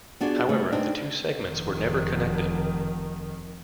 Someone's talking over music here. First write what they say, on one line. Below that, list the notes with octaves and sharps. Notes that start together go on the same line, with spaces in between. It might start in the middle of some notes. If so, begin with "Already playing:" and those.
However, the two segments were never connected.
B3 D4 F4 F#4 G#4
C3 G3 A3 B4
C4 D4 D#4
F1 D#3